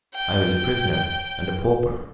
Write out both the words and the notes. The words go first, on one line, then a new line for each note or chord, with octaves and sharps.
I was a prisoner and a pauper.
G5